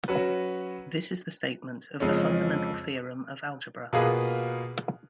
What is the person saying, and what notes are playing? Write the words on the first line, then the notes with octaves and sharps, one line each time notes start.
This is the statement of the "fundamental theorem of algebra".
F#3 C#4 F#4 B4
F2 C#3 G#3 C#4
B2 A#3 F4 G#4 B4